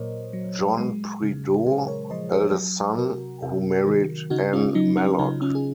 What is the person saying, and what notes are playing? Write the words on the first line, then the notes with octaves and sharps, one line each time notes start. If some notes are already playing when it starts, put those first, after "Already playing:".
John Prideaux, eldest son, who married Anne Mallock.
Already playing: A#2 F#3 A#4 C5 C#5 D#5
F#3
G#3
C#3
C#3 G#4 C5
A#4 C#5
F3 C5 D#5
G#4 C5
F#3
C3 F#4 A#4
C3
D#3
C#3 D#4 F#4
C#4 F4
F#3 D#4
C#4
C#3 D#4
C#4 F4
G#4